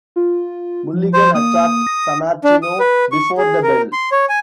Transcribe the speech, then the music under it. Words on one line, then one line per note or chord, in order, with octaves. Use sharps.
Mulligan attacked Sammartino before the bell.
F4
F3
C5
A#3 D#6
A#6
D4
D#6
B4
C#6
G#4
A#4
C6
C#5
G#5